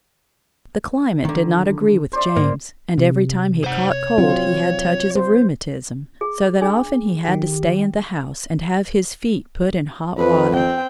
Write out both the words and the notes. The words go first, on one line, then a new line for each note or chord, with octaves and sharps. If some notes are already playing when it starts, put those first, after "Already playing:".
The climate did not agree with James, and every time he caught cold he had touches of rheumatism, so that often he had to stay in the house and have his feet put in hot water.
D3 D#3
C5 D5 E5
G#2 D3 A#3
C3
C5 F#5
C#5
F#3 C4 F4
C5
G#4
D4 G#4
D#3 G4
F2 B4
C4 G5